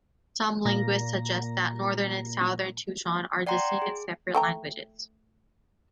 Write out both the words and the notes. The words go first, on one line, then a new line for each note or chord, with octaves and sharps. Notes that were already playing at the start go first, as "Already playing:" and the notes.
Some linguists suggest that Northern and Southern Tutchone are distinct and separate languages.
A#2 A#5 A#6
D5 F#5 G5 A#5 C6
G#4
A3 G5 A#5